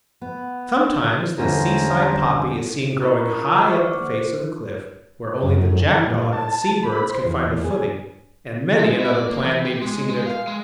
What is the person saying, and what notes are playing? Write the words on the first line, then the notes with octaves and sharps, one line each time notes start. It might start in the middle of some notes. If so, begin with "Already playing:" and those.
Sometimes this seaside poppy is seen growing high up the face of the cliff, where only the jackdaw and sea-birds can find a footing; and many another plant may be seen there too.
B3
E2 D3 G3 C#4 C5 A#5
C#4 E4 A#4 A#5 B5 C#6
F4 G#4
C5 D5 F#5
C#6 D6 F6
A#3 C5
F#2
E3
A#2
A5
B5
C5
E2
G#4
G#3
E4
D5
A#3
E3
G4
G#3
G#3
F5
G#3